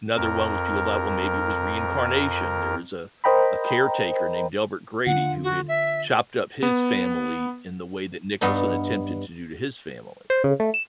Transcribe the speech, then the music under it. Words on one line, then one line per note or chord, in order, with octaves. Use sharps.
Another one was people thought, "Well, maybe it was reincarnation." There was a a caretaker named Delbert Grady who had chopped up his family in the way that Nicholson attempted to do to his family
F2 A#4
A#4 C5 D#5 G5 A#5 B5
D3 F4 F#5
F#4
E5
B3
G2 B3 D4 D#4
C5
C#3
A3
E7